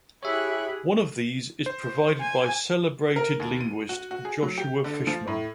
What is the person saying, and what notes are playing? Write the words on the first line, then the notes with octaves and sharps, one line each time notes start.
One of these is provided by celebrated linguist Joshua Fishman.
E4 G4 G#4 C#5 E5 B5 C#6 F#6
C5
G#5
A#4
D#2
D#7
F#4
F#4
G#4
F#3
G4
D3
F3
A2